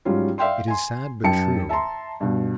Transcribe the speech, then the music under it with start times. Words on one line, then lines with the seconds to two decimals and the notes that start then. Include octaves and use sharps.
It is sad but true.
0.05 G#2 F#3 G3 C#4 F4
0.38 D5 E5 F5 G5 C6
0.68 G#5 C6
1.24 F#2 G5 A5 C#7
1.69 E5 A5 A#5 C6
2.20 G2 B2